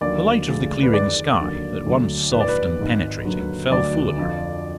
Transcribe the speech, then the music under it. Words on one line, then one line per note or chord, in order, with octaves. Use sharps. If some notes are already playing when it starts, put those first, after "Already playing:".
The light of the clearing sky, at once soft and penetrating, fell full on her.
D#2 D3 F#3 D5
D2 D3 F3 G#3
B4
F2 D#3 G#3 D5
D#2 D3 F#3
D2 D3 F#3
A#1 G#2 F3 B4
D5
B4
G#1 G#2 D#3
D#2 D3 F#3
D2 D3 F#3 D5
F2 D3 F3